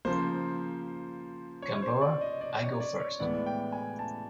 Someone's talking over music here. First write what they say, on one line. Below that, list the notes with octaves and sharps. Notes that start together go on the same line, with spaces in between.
Gamboa, I go first.
C#3 F3 A#3 C5
C#5
C5
D5
D#5
D5
C#5
D5
C#5
A2 E3 G#3 B3 D5
G5
G#5
A5